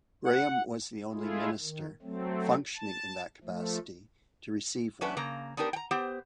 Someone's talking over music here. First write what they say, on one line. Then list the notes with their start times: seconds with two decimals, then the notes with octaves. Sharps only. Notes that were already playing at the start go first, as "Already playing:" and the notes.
Graham was the only minister, functioning in that capacity, to receive one.
0.25 F#5
1.13 G#3 A3 E4 F4 G#4
1.60 D#3
2.02 F#3 A3 C4
2.76 A5
3.44 F3 A3
5.01 F#3 C#4 D4 B4 E5
5.17 C#3 A#3 A#5
5.57 B3 D4 D#4 G4 A#4
5.73 G5 A#5
5.91 B3 G4 C5